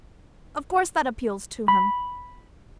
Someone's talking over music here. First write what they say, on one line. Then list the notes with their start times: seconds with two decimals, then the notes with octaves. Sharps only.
"Of course that appeals to him."
1.68 B5